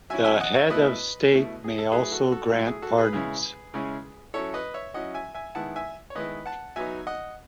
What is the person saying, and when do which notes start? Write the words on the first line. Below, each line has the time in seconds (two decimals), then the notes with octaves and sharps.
The Head of State may also grant pardons.
0.10 F#3 C#4 E4 E5 G#5
0.25 E5 G#5
0.40 D#5 F#5
0.55 C#5 E5
0.70 B2 A3 E4 B4 D#5
1.31 B2 A3 E4
1.64 G#4
1.78 A4
1.91 F#3 A3 E4 G#4 B4
2.12 F#4 A4
2.32 F#4 A4
2.52 F#3 A3 E4 F#4
2.67 G#4
2.82 F#4 A4
2.98 G#4 B4
3.13 C#3 G#3 C#4 E4
3.74 C#3 G#3 C#4 E4
4.34 F#3 C#4 E4 A4 C#5
4.54 B4 D#5
4.74 C#5 E5
4.94 F#3 C#4 E4 D#5 F#5
5.14 E5 G#5
5.34 E5 G#5
5.55 D#3 G#3 B3 E4 F#5 A5
5.76 E5 G#5
6.10 C#5
6.15 D#3 G#3 B3 E4 B4 D#5
6.46 F#5 A5
6.76 F#3 B3 D#4 E5 G#5
7.07 D#5 F#5